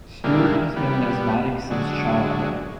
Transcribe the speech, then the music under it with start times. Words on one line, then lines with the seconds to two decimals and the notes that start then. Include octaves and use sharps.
Stewart has been an asthmatic since childhood.
0.24 A#2 D3 E3 G3 G#3 A#3
0.76 G3 B3
1.71 D3 F#3 G#3